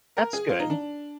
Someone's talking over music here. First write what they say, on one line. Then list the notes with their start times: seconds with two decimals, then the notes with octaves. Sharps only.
That's good.
0.17 A#4
0.33 G#4
0.49 F4
0.59 D#4
0.70 D4